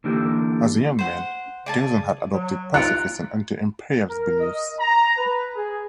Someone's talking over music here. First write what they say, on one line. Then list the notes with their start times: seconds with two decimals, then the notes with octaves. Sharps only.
As a young man, Garrison had adopted pacifist and anti-imperialist beliefs.
0.04 D3 E3 A#3 D4 E4 G4
0.99 C5 F#5
1.66 C#3 D5 G#5 A5
2.33 F#3
2.74 D#4 F4 A#4 F#6 C#7 D7
4.07 A#4
4.39 D#5
4.79 A#5
5.15 B4
5.54 G#4